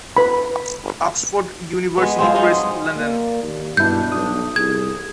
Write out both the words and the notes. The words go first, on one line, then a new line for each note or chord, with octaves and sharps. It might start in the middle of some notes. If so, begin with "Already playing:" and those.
Oxford University Press, London.
B4 B5
G#3 B3
F3 G#3 C4
F#3 G#3 D#4
A#3 D5
D#2
G2 B2 D4 E4 G6
B1 D#6
C2 G#4 G#6